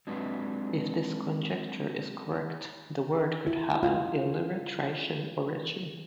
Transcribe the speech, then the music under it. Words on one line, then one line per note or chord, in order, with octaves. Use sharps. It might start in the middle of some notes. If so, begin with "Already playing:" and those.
If this conjecture is correct, the word could have an "Illyro-Thracian" origin.
F#3 G#3 C4 D4 F#4 B4
E4
F4